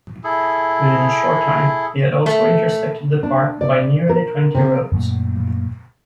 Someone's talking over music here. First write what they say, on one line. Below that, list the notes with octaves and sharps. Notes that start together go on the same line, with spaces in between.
Within a short time, he had also intersected the park by nearly twenty roads.
E4 G#4 A4
A3
D4
D5
A#4
C3
F#2 A#2 A3